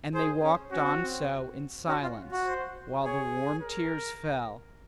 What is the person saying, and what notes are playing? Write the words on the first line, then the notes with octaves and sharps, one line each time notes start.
And they walked on so in silence, while the warm tears fell.
G#4 C5
C#4
C#4 F#4
C4
C4
C#4 F#4
F4
F#4
C5
G#4 C#5
A#4